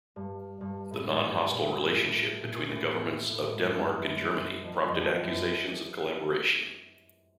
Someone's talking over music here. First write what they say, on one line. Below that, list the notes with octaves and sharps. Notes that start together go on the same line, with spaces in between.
The non-hostile relationship between the governments of Denmark and Germany prompted accusations of collaboration.
G2
G2
A2
G#2
G2
A#2
A2
A#2
A#2
A2
A2
G#2
G2
F#2
F2
F2
F2
E2
F2
F#2